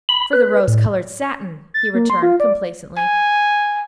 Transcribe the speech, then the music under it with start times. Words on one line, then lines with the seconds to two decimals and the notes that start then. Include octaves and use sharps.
"For the rose-colored satin," he returned, complacently.
0.09 B5
0.33 B4
0.68 A2
1.74 A6
1.94 A#3
2.10 C6
2.22 F4
2.40 D5
2.97 G#5